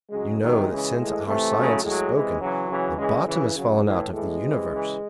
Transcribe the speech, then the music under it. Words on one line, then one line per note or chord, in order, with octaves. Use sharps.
You know that since our science has spoken, the bottom has fallen out of the Universe.
C#3 F#3 G#3
C3 D#3 F#3 G#3
C#3 E3
A2 E3
C3 E3 A3
C#3 F#3
A2 F#3 G#3
C3 E3
C#3 E3 F#3
C#3 E3
C#3 E3 G#3
C#3 E3
C#3 F#3
A2 E3
A2 E3 G#3
C3 E3
C#3 E3